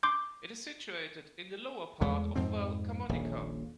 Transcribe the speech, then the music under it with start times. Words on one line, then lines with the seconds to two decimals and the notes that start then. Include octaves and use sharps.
It is situated in the lower part of Val Camonica.
0.03 C6 D6 G6
2.01 E2 G#3 A3
2.36 F2 G#2 F3 C4
3.09 D#1 A#1